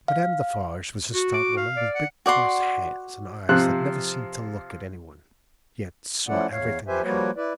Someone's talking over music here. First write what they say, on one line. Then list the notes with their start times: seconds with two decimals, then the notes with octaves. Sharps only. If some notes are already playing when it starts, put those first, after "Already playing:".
Madame Defarge was a stout woman with big coarse hands and eyes that never seemed to look at any one, yet saw everything that happened.
0.08 F5
1.14 F#4
1.34 D6
1.57 F5
1.77 D5
1.95 F#5
2.26 F#4 D5 F#5 C6
3.49 C3 F3 F#6
6.28 F3 A3 C#4 E4 D5 F#5
6.52 E2 C#5 F5
6.88 F3 G4 B4 C5 E5 G#5
7.04 F3 G3 A#3 F#4 B4 C#5
7.37 E4 B4 D5